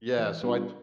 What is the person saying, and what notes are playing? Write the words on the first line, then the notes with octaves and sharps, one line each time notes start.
yeah, so, I t
E3
G3 B3 D4 F4